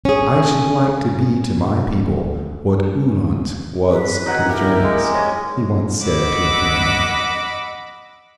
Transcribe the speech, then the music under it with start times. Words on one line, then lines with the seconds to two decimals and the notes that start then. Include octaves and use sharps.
"I should like to be to my people what Uhland was to the Germans," he once said to a friend.
0.05 C#4 G#4
3.89 B4
4.26 D#3 F#3 D#4 F#5 G#5
4.49 E4 G4 A#4
4.83 G#3 F5 G#5
5.15 C#4 D#6
6.05 D#5 F#5 B5 D6 E6